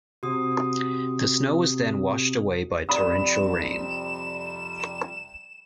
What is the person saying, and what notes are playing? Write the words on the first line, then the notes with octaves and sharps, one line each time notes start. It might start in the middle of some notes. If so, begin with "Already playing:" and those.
The snow was then washed away by torrential rain.
C3 F#4 D#6
F2 C3 G3 D5 B5 D#6 E7